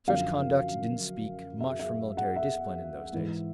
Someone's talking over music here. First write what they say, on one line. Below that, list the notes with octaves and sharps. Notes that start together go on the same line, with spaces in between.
Such conduct didn't speak much for military discipline in those days.
F#2 D3 F3 F5
E5
E5
F#5
E5
G#2 E3